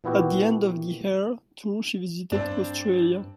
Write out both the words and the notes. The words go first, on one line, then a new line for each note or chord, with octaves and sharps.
At the end of the "Hair" tour she visited Australia.
A#2 E3 B3 E4 F#4 G4
G2 C4 D4